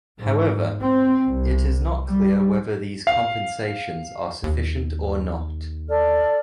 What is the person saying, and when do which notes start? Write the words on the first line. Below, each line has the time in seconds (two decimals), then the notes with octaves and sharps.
However, it is not clear whether these compensations are sufficient or not.
0.19 G#2
0.81 C4
1.25 C2
2.06 G3
3.07 F5
4.44 D#2
5.90 A4 D5 F6